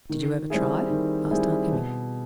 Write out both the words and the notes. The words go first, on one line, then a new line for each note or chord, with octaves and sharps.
"Did you ever try?" asked Aunt Emmy.
D#3
G3 C4 E4 G#4
D#3
G3 C4 E4 G#4
B2